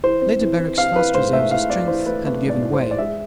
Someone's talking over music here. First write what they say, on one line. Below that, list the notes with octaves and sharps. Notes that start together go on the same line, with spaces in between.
Lady Berrick's last reserves of strength had given way.
E3 C5
C4
E3
C4
C4 F5
E3 B4
G#2 C5
A3 E5
E3 F5
C4 D5
E3 C5
A3 B4
A3 B4
G#2
D5
E3
C5
E3
D5
G#3 E5